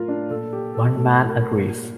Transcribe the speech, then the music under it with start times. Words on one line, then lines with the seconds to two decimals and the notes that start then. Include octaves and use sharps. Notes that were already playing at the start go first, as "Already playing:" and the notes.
One man agrees.
Already playing: A2 F4 A#4
0.08 D4
0.30 A#2 A4
0.53 G4
0.74 A4
0.96 A2 A4
1.29 A#4
1.61 A#2